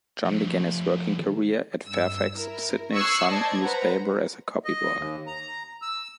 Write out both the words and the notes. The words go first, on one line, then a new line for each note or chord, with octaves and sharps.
John began his working career at Fairfax's Sydney Sun newspaper as a copy-boy.
F3 A3
G2 E6
E4 A#4
C#6 D#6 E6 F#6 G#6 C7
C5 D5 D#5 A5 G#6
B4 C5 F#5 A#5
D#5
D#2
A#5
E6